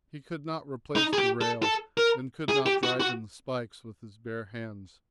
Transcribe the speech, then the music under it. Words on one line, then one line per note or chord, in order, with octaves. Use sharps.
He could not replace the rail and could not drive in the spikes with his bare hands.
D#4
G#4
G4
A4
A4
A#4
G#4
G4
F#4
F#4